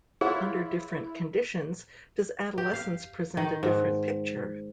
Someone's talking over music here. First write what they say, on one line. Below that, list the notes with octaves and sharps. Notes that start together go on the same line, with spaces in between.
Under different conditions does adolescence present a different picture?
E4 F4 G#4 C#5 F#5
G4
F5
D#3
G#2